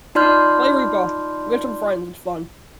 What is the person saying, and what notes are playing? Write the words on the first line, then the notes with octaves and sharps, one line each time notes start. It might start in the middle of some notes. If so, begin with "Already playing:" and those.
Play Repo, with some friends, it's fun.
D#4 F4 D5 C6 F6 G6